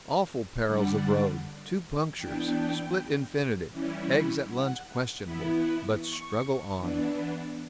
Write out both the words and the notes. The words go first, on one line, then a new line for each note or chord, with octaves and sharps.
"Awful perils of road, two punctures, split infinitive, eggs at lunch questionable, but struggle on."
D3 G3 D4 F#5
E3 B3 D4 G5
E3 G3 C#4 E4
F#5
E3 B3 E4 B5
C#6
E3 B3 D4